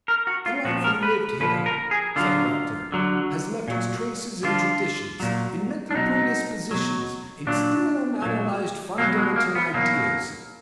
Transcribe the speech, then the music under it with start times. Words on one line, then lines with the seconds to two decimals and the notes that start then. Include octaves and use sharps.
"The life we lived here," said the doctor, "has left its traces in traditions, in mental predispositions, in still unanalyzed fundamental ideas."
0.08 A#4
0.27 F#4
0.46 F4
0.65 A#2 F3 F#4
0.84 A#4
1.03 B4
1.40 A#2 F3 B4
1.66 A#4
1.91 G#4
2.16 D3 F#3 F4
2.92 D3 F#3
3.68 A#2 F#3
4.43 D3 F3 F4
5.20 A#2 F#3
5.91 D4
5.95 B2 F#3 D#4
6.71 B2 F#3
7.47 A#2 F#3 D4
8.22 A#2 F#3
8.98 B2 F#3 A#3
9.17 G#3
9.36 A#3
9.55 B3
9.74 B2 F#3 A#3